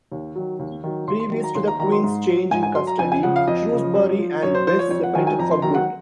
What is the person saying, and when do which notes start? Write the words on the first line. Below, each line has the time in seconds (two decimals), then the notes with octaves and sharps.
Previous to the Queen's change in custody, Shrewsbury and Bess separated for good.
0.12 D#2
0.35 D#3 F#3
0.59 D#2
0.84 D#3 F#3
1.07 D#2 C6
1.20 C6
1.31 D#3 F#3
1.44 A#5
1.55 D#2 C6
1.68 A#5
1.79 D#3 F#3 A#5
1.92 C6
2.04 G#2
2.27 F#3
2.51 G#2 G#5
2.63 G#5
2.75 F#3 C6
2.87 A#5
2.99 F2 G#5
3.12 G#5
3.23 C#3 F3 F#5
3.36 F5
3.47 F2 D#5
3.71 C#3 F3
3.95 F#2
4.19 F3
4.43 F#2 C#5
4.55 C5
4.67 F3 C5
4.79 C#5
4.91 F2 C#5
5.03 F#5
5.15 D#3 F#3 G#5
5.27 G#5
5.39 F2 A#5
5.51 C6
5.62 D#3 F#3 A#5
5.75 F#5